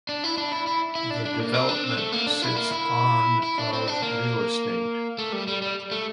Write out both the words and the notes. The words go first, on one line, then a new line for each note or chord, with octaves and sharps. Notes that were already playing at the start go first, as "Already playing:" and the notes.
The development sits on of real estate.
D4
E4
D4
E4
E4
E4
D4
D4
A#3
C4
D4
C4
A3
A#3
D4
E4
A#3
E4
E4
D4
C4
D4
A#3
A3
G3
G3
G3
A3